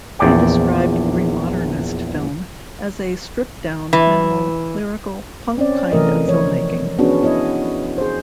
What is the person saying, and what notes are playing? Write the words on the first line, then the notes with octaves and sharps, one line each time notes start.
He described Remodernist film as a "stripped down, minimal, lyrical, punk kind of filmmaking".
A#1 E2 C#5 D5 G5
E3
C4 C#4 D5
C3 E3 A3 A#4 D#5
F3 C#5
B3 C#4 D4 F#4 G#4
B3 E4 C#5 D#5
G#4 C5